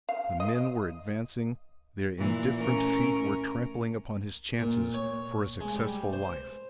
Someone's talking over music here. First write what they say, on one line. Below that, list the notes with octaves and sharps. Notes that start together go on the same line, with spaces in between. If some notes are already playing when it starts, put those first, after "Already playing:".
If the men were advancing, their indifferent feet were trampling upon his chances for a successful life.
F5
D#5
A#2 E3
A3 C#4 A#4
A#2
C#5
G#3
G3
C5